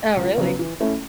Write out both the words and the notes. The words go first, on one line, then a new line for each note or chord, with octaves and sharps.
Oh, really?
C#2
C#3 F#3 B3
E3
A3 C#4 E4